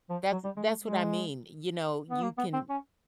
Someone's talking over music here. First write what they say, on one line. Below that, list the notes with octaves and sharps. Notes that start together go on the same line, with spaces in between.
That's that's what I mean, you know, you can
F3
F#3
G3
G#3
A3
G#3
B3
A#3
B3
C4
C#4